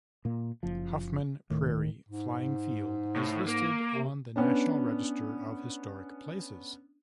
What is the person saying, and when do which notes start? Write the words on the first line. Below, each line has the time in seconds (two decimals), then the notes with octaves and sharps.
Huffman Prairie Flying Field is listed on the National Register of Historic Places.
0.25 A#2 A#3
0.63 F#1 F3
1.50 D1 A2 D#3
2.09 G#2
3.16 A2
3.48 A#3
3.93 C3
4.36 B3 C#4 D4